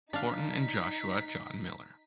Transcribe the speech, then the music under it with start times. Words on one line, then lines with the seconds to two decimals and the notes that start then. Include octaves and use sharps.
Fortin and Joshua John Miller.
0.13 D4 D#4 F5 B6